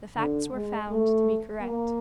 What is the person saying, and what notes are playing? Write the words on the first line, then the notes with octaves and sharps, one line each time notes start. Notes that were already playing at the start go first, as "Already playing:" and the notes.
The facts were found to be correct.
D3
G#3
A3
A#3